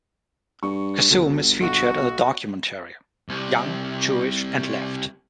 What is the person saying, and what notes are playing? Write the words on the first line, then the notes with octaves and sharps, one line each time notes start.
Khazzoom is featured in the documentary, "Young, Jewish, and Left".
G2 C#6
G1 D2 F#4
B1 F#4
C2 C3